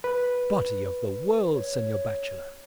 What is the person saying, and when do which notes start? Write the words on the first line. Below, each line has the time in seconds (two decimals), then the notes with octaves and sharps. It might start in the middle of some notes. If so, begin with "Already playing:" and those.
Body of the world, senor bachelor!
0.04 B4
1.56 C#5